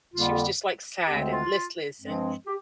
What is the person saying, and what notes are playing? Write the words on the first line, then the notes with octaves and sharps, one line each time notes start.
she was just, like, sad and listless, and,
F2 D3 G3 A#3 F4
D2 D3 G#3 C4 G4
F4
G2 F3 G#3 C4
G4